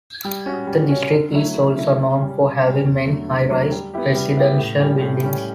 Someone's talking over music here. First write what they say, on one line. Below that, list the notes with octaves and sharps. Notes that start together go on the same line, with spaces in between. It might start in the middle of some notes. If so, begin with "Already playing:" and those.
The district is also known for having many high-rise residential buildings.
G3
C#4 F#4 C#5
G3
C#4 F#4 C#5
D3
F#3 A3 E4
D3
F#3 A3 E4
C#3
G3 C#4
C#3
G3 C#4
E2
D3 F#3 A3
E2
D3 F#3 A3
G3
B3 E4 G4
G3
B3 E4 G4
A2
G3 C#4
A2
G3 C#4